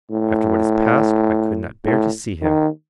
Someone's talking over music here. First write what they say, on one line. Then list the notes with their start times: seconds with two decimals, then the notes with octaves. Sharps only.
After what has passed, I could not bear to see him.
0.11 A2
1.84 A2
2.41 D#3